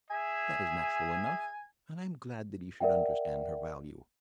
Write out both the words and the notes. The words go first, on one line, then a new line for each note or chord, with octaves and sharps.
That is natural enough, and I am glad that he should understand her value.
G#4 E5 G#5
A#4 D5 E5 F#5 G5